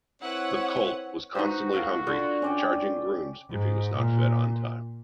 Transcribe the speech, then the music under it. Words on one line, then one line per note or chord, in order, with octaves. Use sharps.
The colt was constantly hungry, charging grooms if he was not fed on time.
C4 E4 B4 C#5 F#5
D#4 F#4 B4 C5
A2 A#4 F5
D3 F4
C#4 D5 G5
G#2
A#2